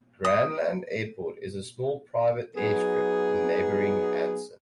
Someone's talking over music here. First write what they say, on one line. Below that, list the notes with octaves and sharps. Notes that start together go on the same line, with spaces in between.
Cranland Airport is a small private air strip in neighboring Hanson.
D#6
F#3 B3 D#4 G#4